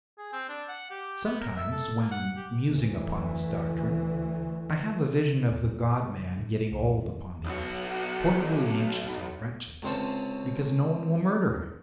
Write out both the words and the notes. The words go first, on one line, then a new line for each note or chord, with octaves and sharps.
Sometimes, when musing upon this doctrine, I have a vision of the God-man getting old upon the earth, horribly anxious and wretched, because no one will murder him.
G#4
C4
D4
F#5
G4
B3
A#4
E5
A4
A#3
F#5
G4
D2 E3
D#2
F2
A2
A2
C3
D3
A2
A#3
C2
F2
D#3
B1 F#4
C#2 C3 C4 C#4 A5